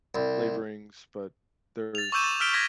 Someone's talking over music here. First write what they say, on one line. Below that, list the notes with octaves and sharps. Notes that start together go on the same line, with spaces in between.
flavorings, but there's
C2
A6 F7
C#6 D6 E6 G6 D#7 E7
A6
E6 F6 B6 D7 G7
C#6 G#6 A#6 B6